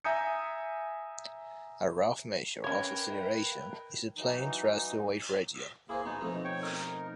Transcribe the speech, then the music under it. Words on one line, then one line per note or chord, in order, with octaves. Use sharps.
A rough measure of acceleration is a plane's thrust-to-weight ratio.
E5 G#5 A#5 D#6 G6 C#7
C#4 A#4 B4 C#5 G5 G#6
E3 F#3 D#4
A#3 E4 G#4 B4 C5
B3 D#4 F#4 A5
F2 B2 A3
C#5 G5 C#6
D#4 A#4